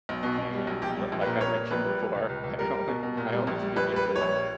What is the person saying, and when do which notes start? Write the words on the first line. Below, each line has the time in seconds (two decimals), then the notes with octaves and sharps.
and l like I mentioned before, I only I only speak English,
0.09 B1
0.23 B2
0.38 B2
0.53 G3
0.67 B1
0.82 A#1 G4
0.97 G3
1.12 A#1
1.22 B4
1.26 A#2
1.41 A#2 C#5
1.56 A#2
1.71 A#1 B4
1.85 G3
2.00 G3
2.15 C#2
2.29 C#2
2.44 C#2
2.59 G3 A#4
2.73 G3
2.88 B2
3.03 B2
3.17 A#2
3.33 G3
3.47 A#1
3.62 G3
3.76 A#1 B4
3.92 G3 B4
4.05 G3
4.16 C#5
4.21 A#1